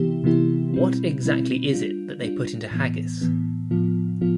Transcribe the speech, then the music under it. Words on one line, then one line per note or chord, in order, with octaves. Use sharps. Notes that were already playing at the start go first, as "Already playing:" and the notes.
What exactly is it that they put into haggis?
Already playing: C3 E3 B3 E4 G4
C3 E3 B3 E4 G4
B2 G3 C4 E4
B2 G3 C4 E4
G3 D4 F4
G3 D4 F4
A2 E3 B3
A2 E3 B3
A2 F3 B3 F4
A2 F3 B3 F4